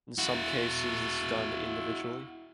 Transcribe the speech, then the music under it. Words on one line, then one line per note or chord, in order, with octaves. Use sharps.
In some cases this is done individually.
E4 F#4